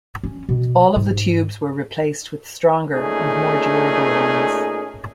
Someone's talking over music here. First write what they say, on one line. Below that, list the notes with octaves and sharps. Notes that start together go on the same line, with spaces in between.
All of the tubes were replaced with stronger and more durable ones.
C#4
B2
G#2
A#2 A3 C#4 D#4 G#4